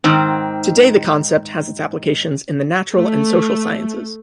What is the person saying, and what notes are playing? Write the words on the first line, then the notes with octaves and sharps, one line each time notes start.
Today the concept has its applications in the natural and social sciences.
G#2 D#3 C4
A3